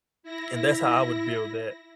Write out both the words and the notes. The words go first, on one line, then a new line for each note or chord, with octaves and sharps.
and that's how I would deal with that.
E4 A#6